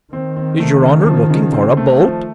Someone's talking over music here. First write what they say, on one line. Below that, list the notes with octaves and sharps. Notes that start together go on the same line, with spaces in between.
"Is your honour looking for a boat?"
D#3 C4
C4
A3
C#3
F3
C#3
C4
A3
F3